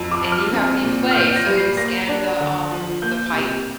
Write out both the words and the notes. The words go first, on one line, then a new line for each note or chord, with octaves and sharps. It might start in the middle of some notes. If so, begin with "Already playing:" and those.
and you have you play, so you scan the, um, the pipe,
Already playing: F2
D6
F3
F6
C4
A#2
F6
A#2 G6
A#6
G3
C7
A#3 A#6
D4
D3
F3
A#3 G6
C3